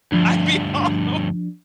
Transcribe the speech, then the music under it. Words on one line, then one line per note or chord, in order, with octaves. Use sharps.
I'd be all over
D2 G2 F3 D4